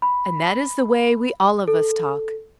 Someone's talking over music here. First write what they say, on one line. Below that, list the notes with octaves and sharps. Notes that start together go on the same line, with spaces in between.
And that is the way we all of us talk.
B5
A4